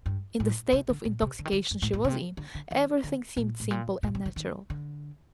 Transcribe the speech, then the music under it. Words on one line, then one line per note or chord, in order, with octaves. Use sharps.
In the state of intoxication she was in, everything seemed simple and natural.
G2
A2
C3
D3
A#2
C3
D3
D#3
D3
G2
A2
A#2
C3
D3
D3
D#3
D3
A#2
A2
A#2
A#2
C3
D3
D#3
D3